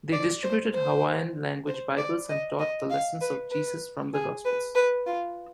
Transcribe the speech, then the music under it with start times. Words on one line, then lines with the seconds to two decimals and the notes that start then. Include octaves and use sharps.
They distributed Hawaiian language Bibles and taught the lessons of Jesus from the gospels.
0.12 D5
0.43 C5
0.74 C5
1.67 C5
1.97 D5
2.29 D#5
2.59 D#5
2.90 F5
3.21 B4
3.51 B4
4.14 G#4
4.45 B4
4.75 B4
5.06 F4